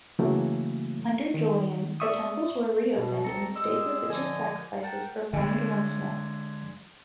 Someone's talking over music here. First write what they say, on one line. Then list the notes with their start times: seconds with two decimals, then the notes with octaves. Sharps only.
Under Julian, the temples were reopened and state religious sacrifices performed once more.
0.19 C#3 E3 F#3 A3 A#3
1.34 D#3
2.00 D5 E5 C#6 D#6
2.96 B2
3.24 D2 C4 A5 A#5 C#6
3.55 G3 G#3 G#4 D#5 E6
4.09 A#2 D3 F3 D5 D#5 G#5
4.82 A#4 F#5 G5 A5
5.33 D3 G#3